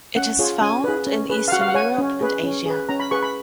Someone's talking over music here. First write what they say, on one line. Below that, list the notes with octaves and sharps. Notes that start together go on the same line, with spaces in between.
It is found in eastern Europe and Asia.
C#4 F#5
F4 G#4 C#5
C#4 G#5
G#4 B4
C#4
G#4 B4
F5
F#4 F#5
F5
F#5
C#5 G#5
C#4
G#4 B4
C#4
G#4 B4
C#4 A#5
B5
G#4 B4 C#6
B5